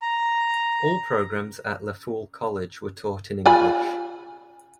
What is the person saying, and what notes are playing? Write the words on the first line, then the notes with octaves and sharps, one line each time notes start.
All programs at Lafoole College were taught in English.
A#5
F4 G#5 B5